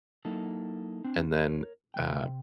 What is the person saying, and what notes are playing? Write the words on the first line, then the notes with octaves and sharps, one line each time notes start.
and then uh,
F#3 A#3 D#4 E4 A4
C4 D4
A#4 C#5
C3 G3 G5